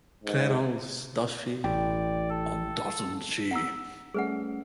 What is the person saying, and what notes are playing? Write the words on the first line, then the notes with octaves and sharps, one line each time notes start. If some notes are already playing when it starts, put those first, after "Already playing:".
Clairol's Does she...or doesn't she?
G#2
A1 D5 G5
A4
F#5 A#5 E6
G3 A3 C#4 G#4 B4 F#5